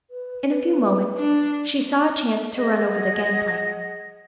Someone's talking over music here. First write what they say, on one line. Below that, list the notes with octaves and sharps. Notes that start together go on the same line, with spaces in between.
In a few moments she saw a chance to run over the gangplank.
B4
B4
D4
G#4 D#5 F#5